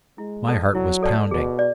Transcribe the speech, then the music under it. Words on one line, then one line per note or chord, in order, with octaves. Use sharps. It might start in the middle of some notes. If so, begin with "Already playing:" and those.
My heart was pounding.
G#3 E4
A4 D5 A5
F#3 E4
A4 D5 A5
B2 G#4
D5